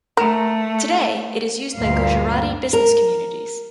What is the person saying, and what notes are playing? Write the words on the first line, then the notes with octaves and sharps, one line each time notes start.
Today it is used by Gujarati business communities.
A3 A#4
D2 G2 A#2 F5
A#4